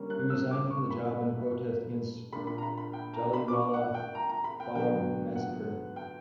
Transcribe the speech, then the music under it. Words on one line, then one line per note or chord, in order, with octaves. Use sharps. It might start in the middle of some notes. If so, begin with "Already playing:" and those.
He resigned from the job in protest against Jallianwala Bagh massacre.
Already playing: D3 G3 A#3 C#4
F#6
E6
D6
C#6
B5
A#2 A#3 D4 B5
B5
A#5
B5
B5
G5
A#5
B5
D6
C#6
F#5
G5
A#5
A#5
B5
G5
D3 F#3 B3 G5
F#5
G5